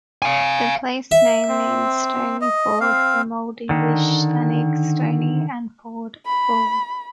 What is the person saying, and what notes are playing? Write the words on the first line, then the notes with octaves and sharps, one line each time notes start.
The place-name means 'stony ford' from Old English "stanig" 'stony' and "ford" 'ford'.
F5 G#5
E5
C4
D#5
C4 F5
D3 D#3
B5